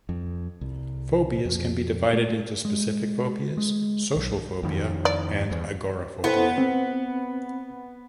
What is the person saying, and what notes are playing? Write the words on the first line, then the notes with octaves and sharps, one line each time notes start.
Phobias can be divided into specific phobias, social phobia, and agoraphobia.
F2
C2
F2
A3
G#3
G#3
B1
F2 D#3
D5
E2
B3 E4 A4 C5
C4